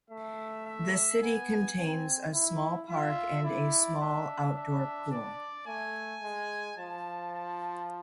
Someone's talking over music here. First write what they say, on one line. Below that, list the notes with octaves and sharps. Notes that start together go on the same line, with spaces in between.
The city contains a small park and a small outdoor pool.
A3 E5
E5
B3 G#5
C4
E4
F4 E5
E4 D5
D4 E5
E5
D5
A3 G#5
G#3
F3 A5
A5